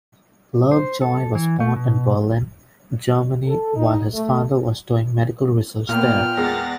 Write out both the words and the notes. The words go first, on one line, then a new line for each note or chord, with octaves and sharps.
Lovejoy was born in Berlin, Germany while his father was doing medical research there.
C5
A4
E3
A3
B2
A4
D#4
A3
A#2 A#3 B3 G5 F6
E2 G#3 F#5 A6 A#6